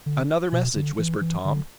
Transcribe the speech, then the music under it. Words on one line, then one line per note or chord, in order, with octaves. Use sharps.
"Another message," whispered Tom.
D3
B2
D3
E3
E3
D3